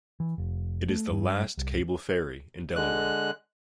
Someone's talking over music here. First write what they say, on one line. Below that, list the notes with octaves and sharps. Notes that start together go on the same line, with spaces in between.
It is the last cable ferry in Delaware.
E3
F1
A3
G2
C2
D3 G#3 F#6